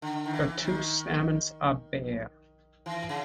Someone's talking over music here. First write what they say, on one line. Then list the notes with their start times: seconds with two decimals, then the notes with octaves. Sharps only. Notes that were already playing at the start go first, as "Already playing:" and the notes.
The two stamens are bare.
0.02 D3
0.26 D#3
0.33 E3
0.64 D#3
2.86 E3
3.09 C#3